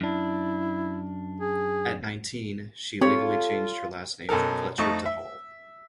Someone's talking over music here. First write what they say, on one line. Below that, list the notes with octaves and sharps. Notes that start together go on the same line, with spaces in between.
At nineteen, she legally changed her last name from Fletcher to Hall.
F#2 D4 E4
G#4
G3 C4 F4 G4 A4 C#5
F#2 B2 A4 A#4
F2 A3 D#4 C#6
E5